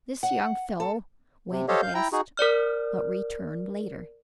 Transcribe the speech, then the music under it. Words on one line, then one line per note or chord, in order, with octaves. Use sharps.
This young fellow went West, but returned later.
F#5
A4
C3
G4 A4 C5 C#5 D#5 F5
F5 G6
E4 G5 A#5
D#4 F#4 G#4
A#4 C5 D5 F6